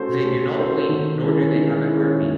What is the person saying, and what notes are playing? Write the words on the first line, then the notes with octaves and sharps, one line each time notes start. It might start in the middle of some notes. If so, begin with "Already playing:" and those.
They do not bleed, nor do they have a heartbeat.
Already playing: A3 C#4 F#4 A4 C5
A3
C#4 F#4 A4 C5
D#3
G#3 C#4 E4
D#3
G#3 C#4 E4
A#2